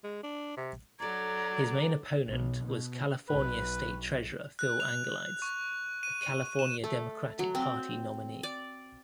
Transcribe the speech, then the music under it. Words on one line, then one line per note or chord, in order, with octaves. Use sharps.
His main opponent was California State Treasurer Phil Angelides, the California Democratic Party nominee.
G#3
D4
C3
F#3 D4 A4 D5 A#5 G#6
B1
B2
B1 B4
F#6
F7
C#6
D#7
D#7
E7
A3
F#3
C4
D5